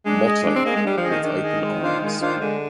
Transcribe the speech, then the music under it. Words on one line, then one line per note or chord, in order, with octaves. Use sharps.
Motto: With Open Arms.
G#3 D4
G#4 D#5
D4
C4
A#3 G#4 D#5
G#3
G3 D4
F3
G#4 D#5
D#3
D#3 D4
G#4 D#5
G#3
D4 F4 C5 F5
G#3
D4 F4 C5 F5
D3 G#3